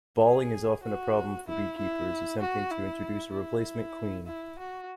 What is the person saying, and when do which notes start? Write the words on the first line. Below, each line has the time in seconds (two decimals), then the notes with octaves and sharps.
Balling is often a problem for beekeepers attempting to introduce a replacement queen.
0.23 G#4
0.84 F#4
1.47 E4
1.78 E4
2.40 F#4
2.71 E4
3.33 E4
4.27 E4
4.58 F#4